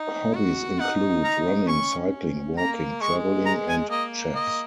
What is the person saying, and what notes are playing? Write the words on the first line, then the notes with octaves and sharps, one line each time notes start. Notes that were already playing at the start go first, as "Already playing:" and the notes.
Hobbies include running, cycling, walking, traveling, and chess.
Already playing: D#4
F#4
D#4 F#5
A#5
C#4 C#6
A#3 A#5
G#3 C#6
A#5
G#5
A#3 D#5
D#5